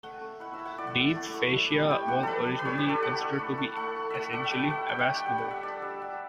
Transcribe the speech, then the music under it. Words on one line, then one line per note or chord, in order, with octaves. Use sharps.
Deep fascia was originally considered to be essentially avascular.
A3 F#5
A3
E4 F#5
E5
E4
F#5
E4 D5
F#5
E4
A3
A3
D4
G3
G3 G5
G3 F#5
G3 A4 B4
G3
B4
G3 C#5
G4
D4
A4
A3 F#5
D4
A3
A3
A3 F#5
A3
A3 E5 F#5
D4 F#5
E5
G3 F#5
G3 F#5
D4 G5
F#5
D4
G5
G3 F#5
F#5
D4
E5
D4 D5
G3 E5
G3 F#5